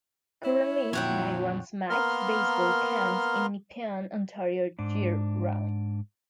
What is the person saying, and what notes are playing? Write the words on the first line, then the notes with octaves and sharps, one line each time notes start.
Currently, Mike runs "Mike's Baseball Camps" in Nepean, Ontario year round.
E4 C#5
F2 A#2 F#3 C#5 F#5 G5
A#3 B3 A#4 C6 F6
G#2 D4